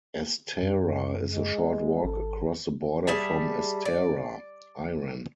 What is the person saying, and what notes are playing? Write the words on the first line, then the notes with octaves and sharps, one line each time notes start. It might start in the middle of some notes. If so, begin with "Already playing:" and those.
Astara is a short walk across the border from Astara, Iran.
F#2
G#3
G#1 A4
G3 G#4 E5 A5
D5